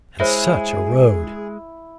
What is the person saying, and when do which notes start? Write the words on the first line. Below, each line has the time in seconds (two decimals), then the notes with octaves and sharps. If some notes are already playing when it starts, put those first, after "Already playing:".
And such a road!
0.20 G#3 E4 G#4 C5 C#5 E5